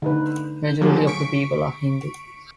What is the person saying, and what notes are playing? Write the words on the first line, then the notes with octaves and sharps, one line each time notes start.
Majority of the people are Hindu.
D3 D#4 B4
D3 F3 F#3 A#3 G4 G#4
C#6 B6 D7